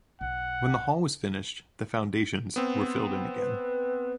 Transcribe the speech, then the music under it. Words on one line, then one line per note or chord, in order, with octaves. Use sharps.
When the hall was finished, the foundations were filled in again.
B1 F#5
B3 C4
B4